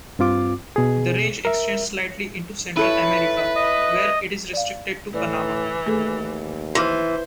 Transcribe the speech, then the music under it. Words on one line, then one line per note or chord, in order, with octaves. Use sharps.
The range extends slightly into Central America, where it is restricted to Panama.
G2 C4 F4 D6
B2 G#4
A#4 E5
E4 A4 B4 C#5 E5
D#5
D5 F5
A2 E3 B4 D5
D#2 A3 G#4 A4
E3 C5 C6 D6 F6